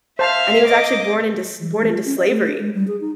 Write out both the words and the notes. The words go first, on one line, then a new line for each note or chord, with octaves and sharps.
And he was actually born into s born into slavery,
C5 E5 F5 A5
D#5 D6
E3
G#3
F4
C#4
D#5
A3
D4
G#3
G3
G#4
D#4